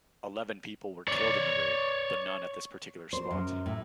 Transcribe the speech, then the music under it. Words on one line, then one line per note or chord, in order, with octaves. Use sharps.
Eleven people were killed in the raid, though none at this particular spot.
C#5 D5
C5
F#2
A2